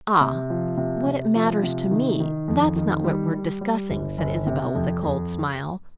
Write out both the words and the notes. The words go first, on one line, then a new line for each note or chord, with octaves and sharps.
"Ah, what it matters to me--that's not what we're discussing," said Isabel with a cold smile.
C3
F3
C3
C3
F3
C3
D#3
D#3
F2
D#3
G3
G3
G3
G1
G1
C3
F2
F2